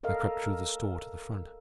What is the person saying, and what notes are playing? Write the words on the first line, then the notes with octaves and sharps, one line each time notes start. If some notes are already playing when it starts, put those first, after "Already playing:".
I crept through the store to the front.
A4 A#4 D#5 F5